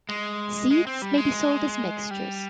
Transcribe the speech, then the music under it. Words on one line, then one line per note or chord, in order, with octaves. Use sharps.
Seeds may be sold as mixtures.
G#3
G#3
C4
G3
G#3
G3